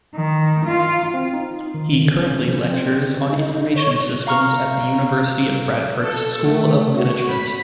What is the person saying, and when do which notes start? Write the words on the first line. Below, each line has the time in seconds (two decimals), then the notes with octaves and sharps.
He currently lectures on Information Systems at the University of Bradford's School of Management.
0.15 D#3
0.65 F4
1.14 C4
1.34 D#4
1.74 D#3
2.04 D3
2.18 C#4
2.32 C3
2.48 F3
2.70 C4
3.32 D#4
3.76 C#5
4.27 F5 A#5 C#6 F6
6.00 A4
6.42 A3
6.97 F#4
7.30 B5